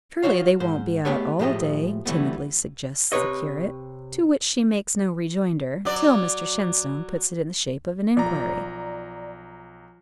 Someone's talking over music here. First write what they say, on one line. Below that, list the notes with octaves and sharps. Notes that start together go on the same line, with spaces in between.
"Surely, they won't be out all day," timidly suggests the curate; to which she makes no rejoinder, till Mr Shenstone puts it in the shape of an inquiry.
F4 F#4 C5 C#5 F5
G#2 C5
A3 B3 G4 G#4 B4 C#5
A2 F3 A3 G4 G#4 D#5
D2 B2 E3 G3 A3 B3
C3 B4 C#5 D#5
F#3 D5
B1 F3 F4 D5 A#5